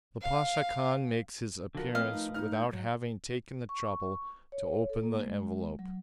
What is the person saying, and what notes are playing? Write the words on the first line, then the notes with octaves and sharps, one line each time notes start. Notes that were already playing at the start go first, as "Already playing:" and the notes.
The Pasha Khan makes his appearance without having taken the trouble to open the envelope.
F5
D3 F3 F#4 A#4
A3 C4 B4 D#5 F5
D#4
D#4 F6
G6
F#3
C#6
C#5
A4
A#3
G#3
F#3